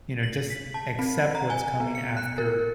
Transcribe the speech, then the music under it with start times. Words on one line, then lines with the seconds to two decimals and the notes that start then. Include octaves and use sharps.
you know, "just accept what's coming after"
0.23 F#7
0.50 B6
0.74 A5
0.99 C4
1.35 A#5
1.50 G#5
1.80 B3
1.95 C#7
2.17 F#6
2.38 A#4